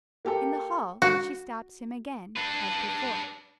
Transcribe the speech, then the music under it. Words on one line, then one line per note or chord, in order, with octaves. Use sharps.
In the hall she stopped him again as before.
A#3 G4 A4 G5
F#4
D4 B4